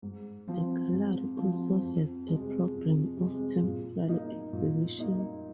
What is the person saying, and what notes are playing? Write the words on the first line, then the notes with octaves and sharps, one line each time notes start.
The gallery also has a programme of temporary exhibitions.
G#2
F3 C4
G#2
F3 C4
F2
C3 G#3
F2
C3 G#3
A#2
A#3 D#4
A#2
A#3 D#4